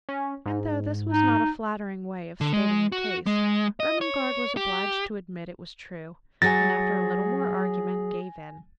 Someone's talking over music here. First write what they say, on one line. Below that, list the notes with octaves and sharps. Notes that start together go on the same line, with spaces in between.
And though this was not a flattering way of stating the case, Ermengarde was obliged to admit it was true, and, after a little more argument, gave in.
C#4
G#2
D#4
D3
G#3
F#4
G#3
D#5
C#5
G4
F#3 G#4 C#5 G#5 A6 A#6